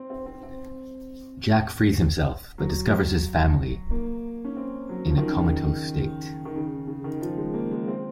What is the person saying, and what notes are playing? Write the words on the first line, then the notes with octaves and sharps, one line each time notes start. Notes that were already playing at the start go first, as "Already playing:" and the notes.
Jack frees himself but discovers his family in a comatose state.
Already playing: C4
C4
C4
C4
F#3
A#3
C#4
C4
F#3
F3
D#3
C#3
D#3
D#3
C#3
C#3
D#3
F3
G#3
A#3
G#3
C4